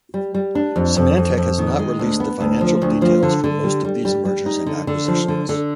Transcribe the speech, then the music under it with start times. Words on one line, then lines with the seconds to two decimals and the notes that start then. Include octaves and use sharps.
Symantec has not released the financial details for most of these mergers and acquisitions.
0.14 G3
0.34 G3
0.55 D4
0.76 F2
0.97 F2
1.17 F2
1.37 F2
1.58 D#3
1.79 G#3
1.99 D2
2.20 B3
2.40 D2
2.61 F3
2.82 D2
3.02 F3
3.23 D3
3.44 D3
3.64 G3
3.85 G3
4.05 G3
4.25 G3
4.46 D#4
4.66 D3
4.87 D3
5.08 F3
5.28 D3
5.49 D3